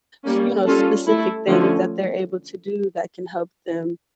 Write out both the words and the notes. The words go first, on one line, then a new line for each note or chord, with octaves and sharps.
s you know, specific things that they're able to do that can help them,
G3 A#3 C#4
G3 C#4 F4 A4
A3 E4 A4
D3 F3 A3 C#4